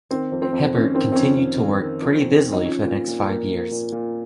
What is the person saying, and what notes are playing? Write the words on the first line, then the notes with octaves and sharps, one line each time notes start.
Hebert continued to work pretty busily for the next five years.
D#3 C4
F2
C4
F2
D#3 C#4
D#3 C4
C4
F2 C#4
F2
D#3
D#3
F2
F2
D#3
D#4
F3 C#4
A#2
A#2
F3 A#3
F3
A#2
A#2